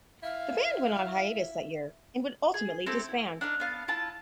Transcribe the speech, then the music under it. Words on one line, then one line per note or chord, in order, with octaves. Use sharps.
The band went on hiatus that year, and would ultimately disband.
E4 F5
G#4
C4 E4 G4 A4
E4
D4 D#4 F5
B3 F5 A5
E4 F4 A5